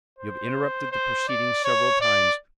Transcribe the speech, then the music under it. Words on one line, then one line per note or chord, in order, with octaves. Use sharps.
You have interrupted the proceedings several times.
C5
C5
D5
C#5
D5